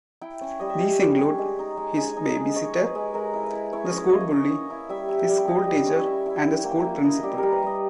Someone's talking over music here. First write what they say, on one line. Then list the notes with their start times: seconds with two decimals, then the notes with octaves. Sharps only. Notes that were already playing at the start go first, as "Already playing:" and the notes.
These include his babysitter, the school bully, his school teacher and the school principal.
0.21 E4 G5
0.41 C#4
0.60 G3 D#5
0.70 E5
0.80 C#4 G5
0.99 G3
1.19 C#4
1.38 G#3
1.59 D#4
1.77 G#3
1.97 G#3 G#5
2.17 D#4
2.36 G#3
2.55 G#3 C#5
2.76 G#3
2.85 B4
2.95 G#3
3.14 G#3 A#4
3.34 E4
3.43 B4
3.53 E4
3.73 E4 C#5
3.85 D#5
3.92 C#4 C#5
4.09 A#3 D#5
4.20 C#5
4.30 C#4 D#5
4.45 C#5
4.51 C#4
4.70 E4
4.89 G3 E5
5.09 E4
5.19 G5
5.29 G3
5.48 E4 D#5
5.67 G3
5.86 C#4
6.06 E4 E5
6.26 E4
6.36 G5
6.45 E4
6.64 A#3 G5
6.84 A#3
7.03 E4 D#5
7.23 G3 G4
7.38 G3 A#4
7.52 B4
7.63 G3 D#5